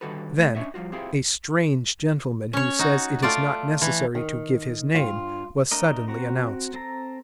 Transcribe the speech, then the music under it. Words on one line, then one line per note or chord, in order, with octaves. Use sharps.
Then "a strange gentleman who says it is not necessary to give his name," was suddenly announced.
D3 D#3 G3 F#4 A4 B4
A3
C#4 D4 C#5 D#5 E5
F3 G3 G#3 F4 F#4
C4 E4 F4 G4 G#4
C#4 C#5
D#4 F#4
A3 F4 D5
E3
D#3
G2 F4
A3 D4 A#4 D#5
C4 F#4 A#5
C4 A4 A#5